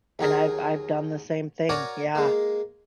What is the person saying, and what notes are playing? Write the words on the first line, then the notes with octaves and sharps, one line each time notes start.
and I've I've done the same thing, yeah.
D#2 F#3 G#4 A#4
F#4 A#4 C#5 D5 G#5 A#5
G#3 A#3